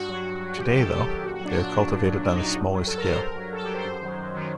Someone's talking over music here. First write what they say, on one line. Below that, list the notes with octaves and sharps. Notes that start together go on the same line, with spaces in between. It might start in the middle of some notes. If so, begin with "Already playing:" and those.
Today, though, they are cultivated on a smaller scale.
Already playing: G2 F#4
F#3
G2
F#3
F#4
F#2 G4
G4
D#3 F#3 A4
F#2 G4
D#3
F#3
A#2 F#4
F#4
F#3 D4
A#2 D4
F#3
A#2
F#3
A#2 D4
D#4
F#3
F#4
G2
F#3
G2 A4
A#4
F#3
C5
G2 A#4
F#3
G2 A4
G4
F#3
C5
F#2
D#3 F#3
F#2
D#3 F#3